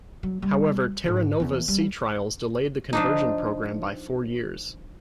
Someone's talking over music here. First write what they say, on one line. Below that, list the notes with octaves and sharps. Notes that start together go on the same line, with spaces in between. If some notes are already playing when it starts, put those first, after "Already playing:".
However "Terra Nova"s sea trials delayed the conversion program by four years.
F#3
G3
G#2 D3
E2 E3
G3
F3 D4 D#4